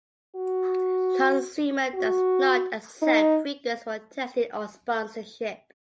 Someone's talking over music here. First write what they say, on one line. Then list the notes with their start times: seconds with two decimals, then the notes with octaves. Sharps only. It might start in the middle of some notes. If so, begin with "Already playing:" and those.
Consumer does not accept free goods for testing or sponsorship.
0.36 F#4
1.95 F#4
3.02 D#4